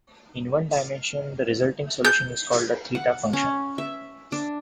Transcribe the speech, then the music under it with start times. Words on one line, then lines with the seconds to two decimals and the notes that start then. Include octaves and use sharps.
In one dimension, the resulting solution is called a theta function.
2.05 G6
2.95 F#5
3.33 C#4
3.78 E5
4.32 D4